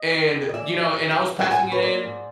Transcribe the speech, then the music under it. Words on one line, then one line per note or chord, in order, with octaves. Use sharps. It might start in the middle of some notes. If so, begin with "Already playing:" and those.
And, you know and I was passing it in
Already playing: D#5
F2
F2
D#5
E3 D5 E5
F#2
E3
C#3
F3 E5 F#5
F#5 G#5
G#2
B4 C#5
A#3 C5 D5
G#2